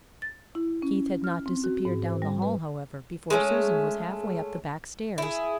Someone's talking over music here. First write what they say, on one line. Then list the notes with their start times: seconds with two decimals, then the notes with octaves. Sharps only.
Keith had not disappeared down the hall, however, before Susan was halfway up the back stairs.
0.22 A6
0.55 E4
0.82 C#4
1.24 F6
1.46 C4
1.64 F#4
1.85 G#2
2.03 C5
2.22 G3
2.42 B4
3.30 G#3 A3 C4 C#4
5.18 E4 G#4